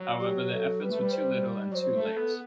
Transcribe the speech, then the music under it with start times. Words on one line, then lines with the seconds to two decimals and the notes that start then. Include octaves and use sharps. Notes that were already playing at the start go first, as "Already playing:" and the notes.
However, the efforts were too little and too late.
Already playing: F#3
0.20 G4
0.50 B4
0.54 A4
0.81 G3 B4
0.90 A3
0.99 G3
1.11 C5
1.72 F#3 D5
1.75 C5
1.94 A3
2.01 A4
2.17 B3